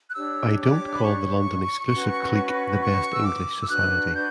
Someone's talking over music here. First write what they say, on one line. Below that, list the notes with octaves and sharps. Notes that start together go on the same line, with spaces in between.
I don't call the London exclusive clique the best English society.
F#6
D4 G4 C#5 E6
D6
B5
C#6
C#4 F#4 B4
C#6
E6
D6
E6
D4 F#4 B4 F#6
G6